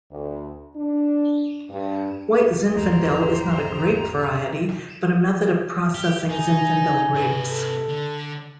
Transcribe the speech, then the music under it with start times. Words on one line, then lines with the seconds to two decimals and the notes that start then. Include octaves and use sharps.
White Zinfandel is not a grape variety but a method of processing Zinfandel grapes.
0.12 D2
0.76 D4
1.70 G2
2.76 G#1 E2 G#3 G4 C5 A#5
5.95 G4
6.30 D#4 G#5
7.14 C3 B4
7.47 A4
7.88 D3